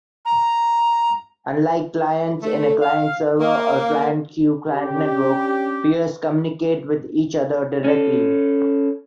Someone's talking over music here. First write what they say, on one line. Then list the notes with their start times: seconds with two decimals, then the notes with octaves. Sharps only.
Unlike clients in a client–server or client–queue–client network, peers communicate with each other directly.
0.25 A#5
2.43 A3
2.80 F5
3.40 A#3
4.72 C#4 D4 G4
7.84 C#4 A4